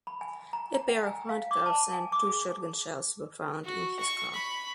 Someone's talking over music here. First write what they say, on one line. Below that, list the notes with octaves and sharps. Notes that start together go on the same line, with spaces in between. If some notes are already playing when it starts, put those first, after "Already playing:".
A pair of handcuffs and two shotgun shells were found in his car.
B5
G#5
A#5
A#5
G5
G#5
F5
D6
A5
G#5
D6
G#4
F#4
C#6
B5